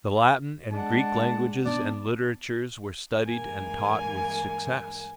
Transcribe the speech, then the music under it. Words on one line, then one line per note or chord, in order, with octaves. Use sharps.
The Latin and Greek languages and literatures were studied and taught with success.
G#3 D4 F#5 A5
B3 D4 D5
G2 E3 G#3 A#3 G#5